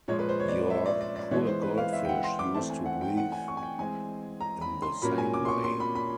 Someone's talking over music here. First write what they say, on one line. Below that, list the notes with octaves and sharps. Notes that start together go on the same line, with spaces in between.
Your poor goldfish used to breathe in the same way.
A#2 F3 G#3 C#5
B4
C5
C#5
D5
E5
D5
D5
D5
E3 G#3 B3 C#5
C5
B4
F5
E5
G5
F#5
C6
D6
E3 A3 C4 A5
G#5
F#5
G5
F#5
G#5
C#6
G#5
G5
E3 G#3 C4 G#5
A#5
B5
C6
A#2 F#3 A#3 C#4 B5
G#5
D6
C6
C#6
C6
B5
B5